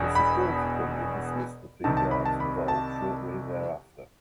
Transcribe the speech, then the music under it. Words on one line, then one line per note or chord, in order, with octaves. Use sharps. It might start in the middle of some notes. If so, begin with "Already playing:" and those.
The security company dismissed the three guards involved shortly thereafter.
Already playing: E1 E2 B2
B5
C2 C3 D#3 A5
A5
B5
A5
B5
A5